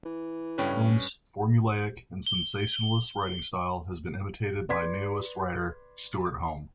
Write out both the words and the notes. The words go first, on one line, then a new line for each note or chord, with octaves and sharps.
Allen's formulaic and sensationalist writing style has been imitated by Neoist writer Stewart Home.
E3
G2 C#3 C#4 A4 B4 G5
G7
B4 D5 C6 G#6 B6